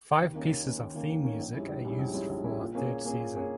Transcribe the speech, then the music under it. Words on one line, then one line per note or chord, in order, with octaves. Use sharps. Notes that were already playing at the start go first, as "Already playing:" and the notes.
Five pieces of theme music are used for third season.
D#2
D#3 A#3 C#4
D#2
D#3 A#3 C#4
D#2
D#3 A#3 C#4
D#2
D#3 A#3 C#4
A#1
G#2 G3 C#4 E4
A#1
G#2 G3 C#4 E4
A#1
G#2 G3 C#4 E4
A#1
G#2 G3 C#4 E4
A#2
A#3 C#4 G#4
A#2
A#3 C#4 G#4
A#2
A#3 C#4 G#4